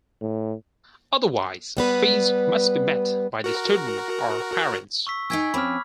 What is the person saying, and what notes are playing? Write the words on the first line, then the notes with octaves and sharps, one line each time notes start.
Otherwise fees must be met by the student, or parents.
A2
G3 B3 B4
F#4 A#4
C#6 E6 B6
D#4 G5 G#5 E6 G#6 B6
F3 C4 C#4 B5 D6 F6